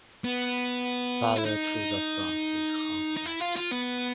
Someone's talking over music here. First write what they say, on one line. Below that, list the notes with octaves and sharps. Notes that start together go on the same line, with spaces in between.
Farther to the south is Hoffmeister.
B3
E4
D#4
D#4
E4
F4
F4
B3